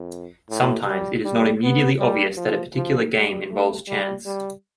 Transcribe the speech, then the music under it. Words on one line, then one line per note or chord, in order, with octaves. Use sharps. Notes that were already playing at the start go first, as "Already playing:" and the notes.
Sometimes it is not immediately obvious that a particular game involves chance.
Already playing: F2
A2
G3
G3
B3
G3
F3
F3
G3
A3
G3
G3